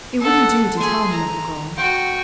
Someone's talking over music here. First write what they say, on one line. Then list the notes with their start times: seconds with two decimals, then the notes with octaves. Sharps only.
It wouldn't do to tell him of the girl.
0.21 A4 F#5
0.77 G#4 C6
1.12 A#5
1.76 F#4 G5